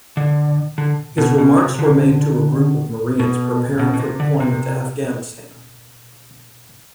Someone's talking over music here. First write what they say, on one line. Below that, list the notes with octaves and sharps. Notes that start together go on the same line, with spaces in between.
His remarks were made to a group of Marines preparing for deployment to Afghanistan.
D3
D3
B2
B2
C3
D3
B2
B2
B2
C3
D3
C3